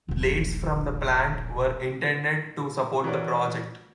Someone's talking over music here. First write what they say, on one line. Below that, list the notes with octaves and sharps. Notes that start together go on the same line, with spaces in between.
Blades from the plant were intended to support the project.
D#1 A#1
E3 F#4 A#4 C#5 D5